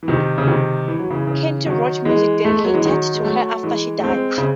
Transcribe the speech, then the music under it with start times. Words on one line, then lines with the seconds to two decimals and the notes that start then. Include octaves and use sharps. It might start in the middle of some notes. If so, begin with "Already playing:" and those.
Keith wrote music dedicated to her after she died.
0.03 E3
0.08 C3 D#3
0.38 C#3
0.47 C3 D#3
0.88 E3
0.99 F#3
1.10 C#3 E3
1.27 C#3 E3
1.66 D#3 F#3
2.05 E3 G#3
2.45 A3
2.55 G#3
2.64 F#3
2.74 E3 G#3
2.85 D#3 F#3
3.14 G#3
3.24 F#3 A3
3.63 E3 G#3
3.99 A3
4.03 G#3 C4
4.38 C#3